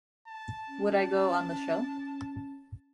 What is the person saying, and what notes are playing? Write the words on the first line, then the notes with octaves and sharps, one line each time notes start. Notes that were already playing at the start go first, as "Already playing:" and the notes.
Would I go on the show?
A5
C#4